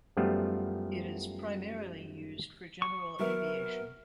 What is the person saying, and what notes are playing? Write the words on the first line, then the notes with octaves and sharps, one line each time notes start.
It is primarily used for general aviation.
F#2 F3 G3 A3 B3 F4
C#6
F#3 B3 A#4 E5